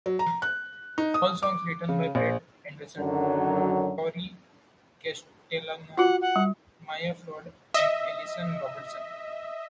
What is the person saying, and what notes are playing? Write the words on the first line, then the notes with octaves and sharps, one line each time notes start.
All songs written by Brett Anderson, Torry Castellano, Maya Ford and Allison Robertson.
F#3
A#5
F#6
D#4
D#6
D6
C#3
A#1
F#2 D3 D#3 F#3
F4 F#4 F#5
F#5
G3
D#5 E5